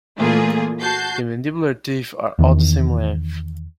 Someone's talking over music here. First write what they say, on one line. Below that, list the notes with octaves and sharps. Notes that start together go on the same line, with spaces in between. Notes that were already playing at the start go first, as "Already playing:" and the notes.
The mandibular teeth are all the same length.
A#2 E3 A3 A#3 F4 G#4
F#4 A5 G6 C7
E2 D#3